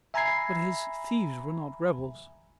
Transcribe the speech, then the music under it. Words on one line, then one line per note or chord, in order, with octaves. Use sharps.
But his thieves were not rebels.
E5 G#5 A#5 B5 G#6 C7